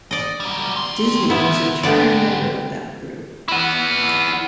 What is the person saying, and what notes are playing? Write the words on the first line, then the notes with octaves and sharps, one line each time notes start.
Disney was a charter member of that group.
D5 D#5
F#3 G3
D#3 C6
D3 F3 B3 E4
G#2 D3 B3 G4 D5
E4 F#5